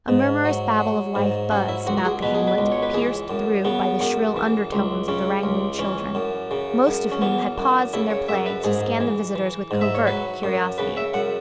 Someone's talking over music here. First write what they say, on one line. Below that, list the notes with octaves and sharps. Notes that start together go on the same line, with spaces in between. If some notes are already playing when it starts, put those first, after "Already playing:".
A murmurous babble of life buzzed about the hamlet, pierced through by the shrill undertones of the wrangling children, most of whom had paused in their play to scan the visitors with covert curiosity.
G#2
F#3
F#3
G#2
F#3 C#4
E4
C#2 F#4
F#4
G#4
B2 B4
G#4
B4
C#2
C#5
B4
E3 G#4
F#2
C#3 B3
F#2
E3
C#2
C#3 C#4
C#2
E3 C#4
F#2
C#3
F#2
C#4
E3 B3
F#2
C#3 E4
C#5
F#2 E5
B4
G#2 G#4
E3
E3
G#2
E5
C#5
F#3 B4
F#2
C#3 B4
E5
F#2 F#5